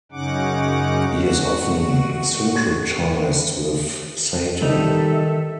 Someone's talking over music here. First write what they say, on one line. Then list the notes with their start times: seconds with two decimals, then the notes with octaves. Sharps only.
He is often syncretised with Satan.
0.12 F#2 C#3 C#4 D#4 F#5 D6
1.07 F#4
4.61 D#3 G3 D#4 A4 E5